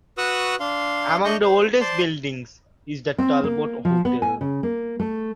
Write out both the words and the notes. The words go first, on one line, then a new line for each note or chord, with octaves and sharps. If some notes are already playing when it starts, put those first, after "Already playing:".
Among the oldest buildings is the Talbot Hotel.
F#4 B4 C#6 D#6 E6 F#6
D4 F5 C6
A3 D4 D#5 C#6 G6
C5
C5 D5 A5 C6
C4
A#3
F3
B3
G#5
C#3
A#3
A3